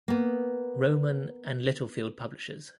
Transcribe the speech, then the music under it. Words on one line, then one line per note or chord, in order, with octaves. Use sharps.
Rowman and Littlefield Publishers.
A#3 B3